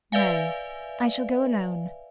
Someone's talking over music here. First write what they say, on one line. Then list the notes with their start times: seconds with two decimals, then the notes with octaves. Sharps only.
"No; I shall go alone."
0.12 B4 D5 E5 F5 G#5